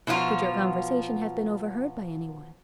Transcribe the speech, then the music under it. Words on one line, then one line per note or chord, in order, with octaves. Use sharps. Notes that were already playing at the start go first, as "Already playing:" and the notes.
"Could your conversation have been overheard by any one?"
B2 F3 F#3 F4